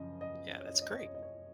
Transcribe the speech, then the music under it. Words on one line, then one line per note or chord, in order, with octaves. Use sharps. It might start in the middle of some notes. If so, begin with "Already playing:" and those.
yeah, that's great.
Already playing: F#2 C#3 F3 D#5
D#5
C#5
D#5
C#5
D#5
C#5
D#5
C#5
D#5
C#5